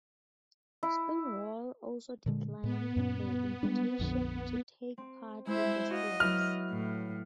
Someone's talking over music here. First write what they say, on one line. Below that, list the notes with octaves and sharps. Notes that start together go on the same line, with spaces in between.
Stonewall also declined the invitation to take part in the series.
E4
A#2 D3 G#3
A2 B3
F#2 A#2 C#4
G3 G#3 D4
A#1 F2 D3
C4
G#3 E4 C5 E5
F#4 D#5 F5
F#3 E4 B4 F6
A2